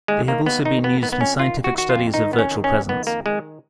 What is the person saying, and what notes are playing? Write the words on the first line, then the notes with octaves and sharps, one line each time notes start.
They have also been used in scientific studies of virtual presence.
D#2 G#3
D#3 A#3
D#2 B3
D#3 D#4
F2 B3
D#3 B3
B3
F2 C#4
D#3 F4
F2
F#4
D#3 F#4
F4
F2
D#3 D#4
F2 B3
C#4
D#3
C#4
F2
D#3 B3
F2 A#3
D#3 G#3